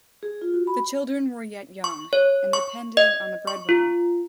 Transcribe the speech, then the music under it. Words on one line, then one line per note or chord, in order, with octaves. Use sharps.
The children were yet young, and depended on the breadwinner.
G#4
F4
F#4
B5
C#6
C#5
C#6
D#5
C#6
F4